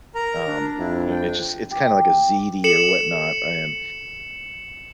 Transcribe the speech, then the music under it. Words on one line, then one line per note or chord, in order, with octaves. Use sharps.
um it's just it's kinda like a ziti or whatnot, and
A#4 A#5
D4
F2 E4
G5
G4
A4 C#7 E7 F#7